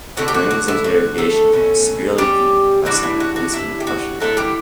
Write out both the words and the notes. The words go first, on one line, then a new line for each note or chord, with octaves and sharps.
During his interrogation he was severely beaten by some of the policemen questioning him.
D3 A3 D4 F#4
G4
F#4
F#4
E4
F#4
A3 A4
B2 A3 C#4
G3 G4
E3 G3 D4 F#4
E4
F#4
F#4
E4
G4
F#4
D3 F#3 A3 C#4 E4 A4
G3 G4